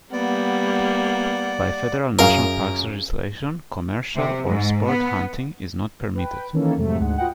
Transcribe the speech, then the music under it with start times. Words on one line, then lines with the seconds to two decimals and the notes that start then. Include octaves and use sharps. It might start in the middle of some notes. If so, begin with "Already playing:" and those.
By federal national parks legislation, commercial or sport hunting is not permitted.
0.13 G3 A#3 B3 D5 F#5
2.19 F#2 C#4 G#4 A#4 F5
4.16 C3
4.46 G#2
4.87 B3
6.15 B4 G5
6.53 D#3 E3 A#3 C#4 A4
6.77 F2 G#2 C3 F#3 A3
7.00 D2 G#2 F#5
7.17 F4 F#4 B4 D#5 F#5 G5